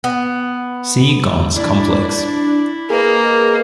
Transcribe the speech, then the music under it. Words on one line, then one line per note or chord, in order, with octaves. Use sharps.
See Ghon's complex.
B3
D4 E4 D5
A#3 G#4 A#4 B4 D#5